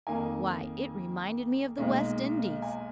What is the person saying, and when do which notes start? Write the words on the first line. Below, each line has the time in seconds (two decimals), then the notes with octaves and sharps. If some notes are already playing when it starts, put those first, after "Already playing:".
Why, it reminded me of the West Indies.
0.07 F2 D#3 A#3 G#5
1.77 B1 A#2 G#3
2.62 G#5